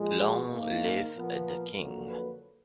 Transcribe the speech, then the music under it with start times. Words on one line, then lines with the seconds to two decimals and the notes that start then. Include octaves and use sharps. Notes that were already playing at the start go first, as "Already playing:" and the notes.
Long live the king.
Already playing: A#2 F3 G#3
0.18 F#4
0.50 G#2 D#3 A#3
0.82 A#4
1.13 A#2 F3 B3
1.46 A#4
1.78 F2 D3 F#3 A#3
2.09 B4